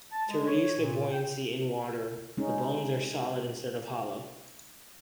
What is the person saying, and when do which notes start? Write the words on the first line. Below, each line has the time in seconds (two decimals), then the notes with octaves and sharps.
To reduce their buoyancy in water, the bones are solid instead of hollow.
0.12 A5
0.29 G#3
0.47 C#5
0.78 A#2
1.12 G5
2.37 G#3 C#4 D#4